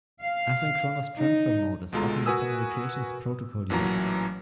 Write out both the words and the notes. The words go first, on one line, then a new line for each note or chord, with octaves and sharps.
Asynchronous Transfer Mode is often the communications protocol used.
F5
D#4
D2 B2 G#3 F4 A4 A#5
F#4 A#4 B4 G#5 D#6 E6
A1 A#2 E3 F#3 A#5